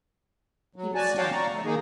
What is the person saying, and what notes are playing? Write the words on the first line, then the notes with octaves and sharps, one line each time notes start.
He was stunned.
F#3
F#4 D5 G#5 A5
F#4 C#5 F5 G5 A5 D6
D5 A#5 C#6
F3 A3
D#3 A#3 D#4 G#4